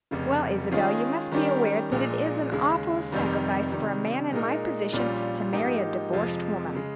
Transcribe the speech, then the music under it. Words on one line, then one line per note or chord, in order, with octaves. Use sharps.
"Well, Isabel, you must be aware that it is an awful sacrifice for a man in my position to marry a divorced woman."
F1 F2 C#3
D#3 G#3 C#4 F4 G#4
D#3 G3 C#4 G4 A#4
A#1 A#2 G#3
D#2 C#3 G#3
F1 F2 C3 D#3 G3
C3 D#3 G3
A#2 G#3 D#4 A#4
A#1 A#2 G3 C#4 F4
G#2 F3 A#3 D#4 G4
F2 C3 F3 G#3
C#3 G#3